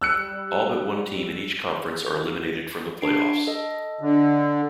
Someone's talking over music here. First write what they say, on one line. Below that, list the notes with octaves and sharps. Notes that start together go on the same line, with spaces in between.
All but one team in each conference are eliminated from the playoffs.
G3 E6 F#6 C#7
D4 C7 D7
A4 D#5
D3